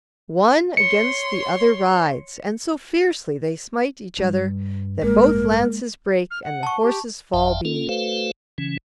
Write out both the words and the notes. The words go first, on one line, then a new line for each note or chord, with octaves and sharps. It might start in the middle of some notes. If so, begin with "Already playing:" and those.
One against the other rides, and so fiercely they smite each other that both lances break and the horses fall beneath them.
C#5 C6 C#7
G2
A1 G2 G#3 A#3 A#4
F6
F#5
A5 C#6
G4
G1 F2 E5 F5 G5 A5
A#3 C#4 F4 A4
A3 F#4 A4 B4 C5 F5
C#3 E3 C#4